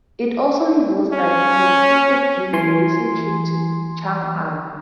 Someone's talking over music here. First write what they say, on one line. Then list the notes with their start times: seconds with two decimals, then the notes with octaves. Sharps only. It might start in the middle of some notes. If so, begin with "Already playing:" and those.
It also reveals that he had feasted during a recent trip to Ch'ang-an.
1.14 C#4
2.53 E3 G#5 C6